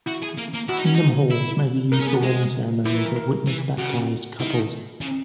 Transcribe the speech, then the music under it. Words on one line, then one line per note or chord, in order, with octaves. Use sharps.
Kingdom Halls may be used for wedding ceremonies of Witness-baptized couples.
E4 F#4
G#4
A#3
A#3
E4 F#4
D#4
C#4
D#4
E4
D#4 A#4
C#4 G#4
B3
F#4
G#3
E3 E4
A#4
A#4
A#4
E3
C#3 F#4
D#3 E4
C#3